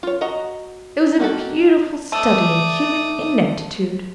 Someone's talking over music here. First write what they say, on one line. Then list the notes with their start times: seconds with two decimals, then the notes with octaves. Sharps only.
It was a beautiful study in human ineptitude.
0.03 F4 C#5
0.21 F#4 D#5 F#5 A#5
1.19 A#3 D#4 F#4 G4 A4
2.12 A3 D5 D#6